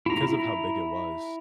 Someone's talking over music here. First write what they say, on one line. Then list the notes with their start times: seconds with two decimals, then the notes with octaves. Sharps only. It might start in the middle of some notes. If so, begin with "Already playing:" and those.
because of how big it was
0.06 E4 A#5